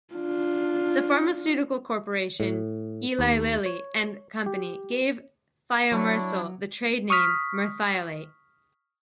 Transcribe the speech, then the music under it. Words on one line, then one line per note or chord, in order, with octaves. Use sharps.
The pharmaceutical corporation Eli Lilly and Company gave thiomersal the trade name Merthiolate.
D4 F4
A2
D#2
C#5
G4
F#3 D4 E4 C#5
C#6 D#6 F6 B6